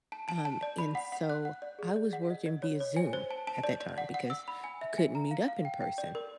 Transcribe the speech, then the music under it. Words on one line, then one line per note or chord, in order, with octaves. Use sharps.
Um, and so I was working via zoom at that time because you couldn't meet up in person
A5
A5
A5
D5
B5
F#5
F#5
F#6
F#5
D5
G#4
D5
F#5
D#5
D#5
C#5
C#5
G#5
C5
A5
A5
D5
D5
F#5
F#5
E6
B5
G#5
E5
G#5
A#5
F5
F5
G5
G5
D5
A#4